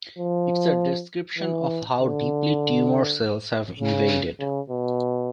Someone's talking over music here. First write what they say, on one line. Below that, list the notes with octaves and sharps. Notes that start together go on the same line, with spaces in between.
It is a description of how deeply tumor cells have invaded.
F3
E3
D3
C#3
C#3
B2